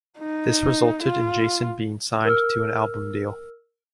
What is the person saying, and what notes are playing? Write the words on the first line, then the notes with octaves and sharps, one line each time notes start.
This resulted in Jason being signed to an album deal.
D#4
F4
A#4 E6 F6